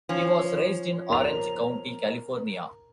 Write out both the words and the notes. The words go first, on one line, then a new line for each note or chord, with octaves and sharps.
He was raised in Orange County, California.
F3 C#4
A#4 F7